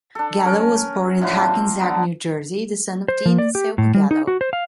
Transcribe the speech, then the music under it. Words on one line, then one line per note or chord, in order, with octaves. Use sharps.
Gallo was born in Hackensack, New Jersey, the son of Dean and Selma Gallo.
D4 A4
C#4 A#4 B4
A2 D3 F3 B4
A#3 C4
D3 A#3 B3 A#5
C5
F3
D5
G4
A2
G3
D#4
F#4
C5
F5